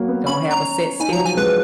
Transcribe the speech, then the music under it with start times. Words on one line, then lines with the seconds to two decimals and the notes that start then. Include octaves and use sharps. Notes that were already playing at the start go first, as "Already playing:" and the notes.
Don't have a set schedule.
Already playing: F#3 A#3
0.08 B3
0.26 C#4 B5
0.51 A#5
1.00 D#4 G#5
1.09 F3 A#5
1.18 F#3
1.26 G#5
1.37 G#3 B4